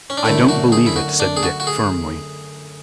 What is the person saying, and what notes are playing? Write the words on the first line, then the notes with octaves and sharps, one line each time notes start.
"I don't believe it," said Dick, firmly.
C#4
D4
F#2 D3 A3 E4
F#4
G#4
E4
F#4
D4
G#4
F#4
F#4
G#4